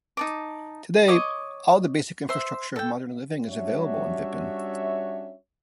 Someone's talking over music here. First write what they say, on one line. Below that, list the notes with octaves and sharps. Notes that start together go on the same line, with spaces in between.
Today, all the basic infrastructure of modern living is available in Vypin.
D#4 A5 D6
C#5 D#5 D6 D#6
C5 E5 C6
A4 G5
G3 C#4 D4 F#4 C#5 E5